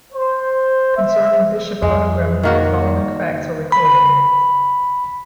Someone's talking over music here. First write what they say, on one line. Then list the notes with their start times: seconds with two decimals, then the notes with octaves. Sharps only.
Concerning Bishop Oedgrim the following facts are recorded.
0.11 C5
0.95 E5
1.82 F2 F3 G#3
2.43 D#3 A#3 F#4
3.72 B5